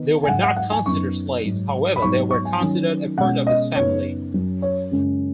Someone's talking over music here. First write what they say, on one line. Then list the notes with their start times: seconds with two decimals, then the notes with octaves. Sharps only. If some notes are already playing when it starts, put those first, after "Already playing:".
They were not considered slaves; however, they were considered a part of his family.
Already playing: D#3 B3 D#4
0.24 G#5
0.28 G#2 F#3 D#4 F#5
0.43 F#5
0.56 F#5
0.71 G#5
0.86 F#2 F#3 B3 D#4 C#6
1.43 G#2 F#3 D#4
1.96 B5
2.02 G#2 F#3 B3 D#4 C#6
2.31 C#6
2.45 G#5
2.60 D#3 F#3 C#4
3.18 B2 G#3 C#4 F#5
3.47 D#5
3.76 F#2 C#3 B3 D#4 C#5
4.34 F#2 F#3 C#4
4.62 C#5
4.91 F#2 C#3 G#3 C#4